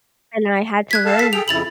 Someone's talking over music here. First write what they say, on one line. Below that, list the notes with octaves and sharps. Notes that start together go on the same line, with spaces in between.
and I had to learn
F#6 G#6 B6
A4 F5 A5
B6
G#4 A4 G5 F7
F2 C#3 E4 A6 F7 F#7